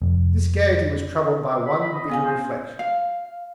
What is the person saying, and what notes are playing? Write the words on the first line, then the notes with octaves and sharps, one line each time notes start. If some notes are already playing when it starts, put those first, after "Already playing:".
This gayety was troubled by one bitter reflection.
F1
B5
B5
D#5
B3 F5 G#5
C5
F5